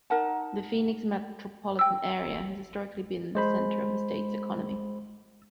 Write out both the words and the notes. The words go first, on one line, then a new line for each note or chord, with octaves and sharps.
The Phoenix Metropolitan area has historically been the center of the state's economy.
D#4 A#4 F#5 A5
G5 E6
G#3 C5 B5